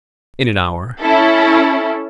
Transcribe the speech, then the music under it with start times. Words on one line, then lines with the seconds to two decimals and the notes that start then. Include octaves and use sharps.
"In an hour."
1.01 C#4 E4 A4